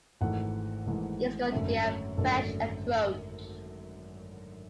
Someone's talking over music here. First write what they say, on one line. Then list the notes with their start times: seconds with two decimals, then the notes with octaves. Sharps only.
It's going to be a fresh approach.
0.21 G#1 G#2 E3 A3 F#5
0.86 G#1 G#2 E3 A3
1.48 F#5
1.52 G#1 F#2 D3 A3 C#4 E5
1.85 C#5
2.17 G#1 F#2 D3 A3 C#4 A4